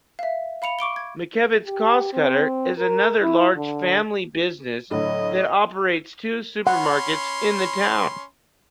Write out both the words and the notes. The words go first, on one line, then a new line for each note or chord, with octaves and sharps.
McKevitt's "Costcutter" is another large family business that operates two supermarkets in the town.
E5 F5
F5 B5 C#7 F7
C#6 D6 D7 G7
G#6
G4
C4
A#4
E4
D3
A2 D3 F#3 D#5
C#4 F#5 B5 C6